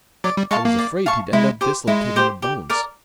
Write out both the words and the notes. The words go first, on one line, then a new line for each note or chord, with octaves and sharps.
I was afraid he'd end up dislocating the bones.
F#3 D5
G3
G#3 F5 A5 C#6
A#3
D5
F5 A5 C#6
G#3 E4
G4 C5
G#3 E4
G4 C5
G4
A#4 D5